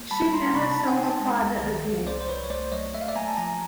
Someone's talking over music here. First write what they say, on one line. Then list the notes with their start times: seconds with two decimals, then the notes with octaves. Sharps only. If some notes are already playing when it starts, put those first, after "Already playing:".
She never saw her father again.
Already playing: A#3
0.11 G3 A5 B5
0.33 A#3 A#5 C6
0.55 C3 B5 C#6
0.71 D#4 A5 B5
0.87 F#5 G#5
0.98 D#4
1.03 G5 A5
1.20 G#3
1.42 C2
1.63 D#3
1.86 C2
2.07 C2 C5 D5
2.21 C5
2.28 C2 B4 C#5
2.44 C#5
2.50 A3 C5 D5
2.72 F#3 C#5 D#5
2.94 A3 E5
3.01 F5
3.08 D5 E5
3.15 A#3 G#5 A#5
3.28 A5
3.37 F3 G#5 A#5